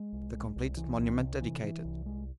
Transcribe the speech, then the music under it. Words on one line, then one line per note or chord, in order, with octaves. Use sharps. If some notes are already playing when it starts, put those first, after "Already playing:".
The completed monument dedicated.
Already playing: G#3
C2
G#3
C2
E3
C2
C3
E3
E3
C2
G#3